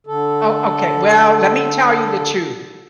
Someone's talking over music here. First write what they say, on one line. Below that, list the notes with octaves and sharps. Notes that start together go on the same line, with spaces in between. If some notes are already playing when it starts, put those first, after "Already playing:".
Oh, okay. Well, let me tell you the truth.
D3 A4